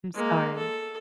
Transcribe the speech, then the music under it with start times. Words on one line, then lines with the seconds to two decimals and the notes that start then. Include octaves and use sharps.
I'm sorry.
0.14 G#3 A#3
0.57 A4